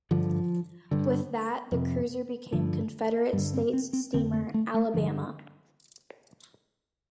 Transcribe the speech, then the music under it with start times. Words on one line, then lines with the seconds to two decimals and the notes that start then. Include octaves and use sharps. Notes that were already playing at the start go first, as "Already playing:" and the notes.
With that the cruiser became Confederate States Steamer "Alabama".
0.11 G2 D3 F3
0.91 G2 D3
1.72 F2 C3
2.52 G2 D3 F3
3.33 G2 G3
3.38 D3
3.54 C4
3.73 C4
3.93 C4
4.14 F2 D3 C4
4.34 A3
4.54 A3
4.74 A3
4.94 G2 D3 F3